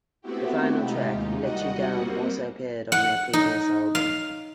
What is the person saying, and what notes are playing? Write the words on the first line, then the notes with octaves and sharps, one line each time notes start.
The final track, "Let You Down," also appeared on their previous album.
A3 B3 C4 E4 F#4 G4
C3 G#3 D#4 F4 G4
D#2 D#4
G3 F#4 D#5 F#5
G3 A#3 C4
F#5
D#4
F5